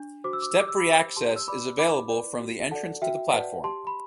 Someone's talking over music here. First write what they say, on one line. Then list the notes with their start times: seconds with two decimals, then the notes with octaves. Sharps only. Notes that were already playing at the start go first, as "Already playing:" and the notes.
Step-free access is available from the entrance to the platform.
Already playing: D4
0.24 F#4 C5 D6
0.33 E6
0.42 D6
0.51 E6
0.55 G4 D6
0.69 E6
0.77 B5 D6
0.87 C5
1.17 G4 A5 C6
1.36 E6
1.48 B4 D5 B5 D6
1.79 E4 B5 D6
2.10 B4 D5
2.40 F#4
2.71 A4 D5 F#5 A5
3.02 F#4 E5 G5
3.33 B4 D5 F#5 A5
3.64 G4 A5 C6
3.87 B5